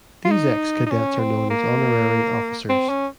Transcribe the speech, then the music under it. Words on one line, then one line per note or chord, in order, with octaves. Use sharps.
These ex-cadets are known as "Honorary Officers".
F4
D#4
D#4
C#4
C4
A#3
C4
C#4